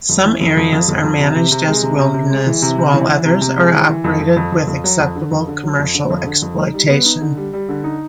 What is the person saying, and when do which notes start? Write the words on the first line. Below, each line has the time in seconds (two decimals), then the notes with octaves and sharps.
Some areas are managed as wilderness, while others are operated with acceptable commercial exploitation.
0.09 F2
0.25 E3
0.40 F2
0.57 F2
0.72 F2
0.88 F2
1.04 F2
1.20 C3
1.36 C3
1.51 C3
1.67 G#3
1.83 C3
1.99 C3
2.14 C3
2.30 G#3
2.46 E3
2.62 C3
2.78 C3
2.94 E3
3.09 E3
3.25 C3
3.41 C3
3.57 G#3
3.73 E3
3.89 E3
4.04 F2
4.20 F2
4.36 F2
4.52 F2
4.67 F2
4.84 F#3
5.00 F2
5.16 D3
5.31 F2
5.47 D3
5.63 F#3
5.79 F2
5.94 D3
6.10 F2
6.26 D3
6.42 F2
6.58 D#4
6.74 G3
6.89 B3
7.05 D#4
7.21 D3
7.37 G3
7.53 G3
7.69 D3
7.84 D#4